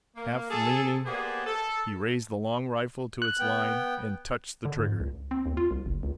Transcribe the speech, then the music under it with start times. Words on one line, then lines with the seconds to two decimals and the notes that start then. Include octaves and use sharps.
Half leaning, he raised the long rifle to its line and touched the trigger.
0.16 A#3
0.50 G#4 A4
1.04 A#3 B3 G4 G#4 C5 D5
1.46 A4
3.22 F#6
3.39 B3 G5
4.65 D3
4.79 G#2
5.00 C#2
5.31 C4
5.46 D#2
5.57 F4
5.71 C2
5.86 F#1
6.03 C#2